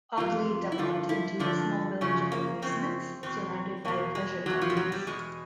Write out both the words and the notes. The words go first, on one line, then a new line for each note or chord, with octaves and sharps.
Audley developed into a small village of amusements, surrounded by 'pleasure gardens'.
F2 C3 E3 F4
E4
G2 D3 F3 F4
E4
G2 D3 F3 D4
F#2 C#3 F3 C#4
A#3
F#2 C#3 F3 C4
E2 B2 C4
E2 B2 A#3
G#3
E2 B2 F#3
F3
G3
F#3
G3
E2 B2 G#3